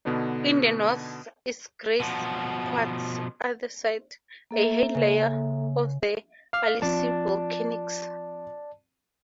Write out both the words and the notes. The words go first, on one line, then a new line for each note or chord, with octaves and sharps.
In the north is grey quartz andesite, a higher layer of the Ainslie Volcanics.
B2 D3 B3 D4 D#4
B2 F3
A#3 A4 E5
C#3
F5 D6 F6
F3 C4 D5 A5